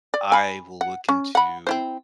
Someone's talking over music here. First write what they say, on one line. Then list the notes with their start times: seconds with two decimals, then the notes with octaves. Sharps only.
I will look into
0.14 D5
0.32 G#5 B5
0.81 F#5
1.09 C#4
1.35 F#5 B5
1.67 C4 E4 C5